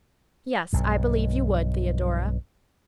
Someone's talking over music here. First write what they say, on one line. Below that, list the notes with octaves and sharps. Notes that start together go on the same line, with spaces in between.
"Yes, I believe you would, Theodora."
B1 G2